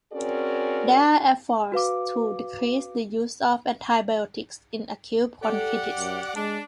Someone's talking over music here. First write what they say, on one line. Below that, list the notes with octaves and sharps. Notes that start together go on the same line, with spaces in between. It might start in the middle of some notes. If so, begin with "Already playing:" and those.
There are efforts to decrease the use of antibiotics in acute bronchitis.
C4 C#4 F#4 G#4 A#4 D5
F#4 B4 F5 D6
G4 A4 D5 F#5
F#2
G#3 D4